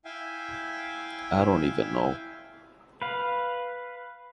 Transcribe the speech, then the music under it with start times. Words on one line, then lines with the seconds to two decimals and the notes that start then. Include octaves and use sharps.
I don't even know.
0.05 E4 E5 F5 G5 G#5
3.02 B4 F5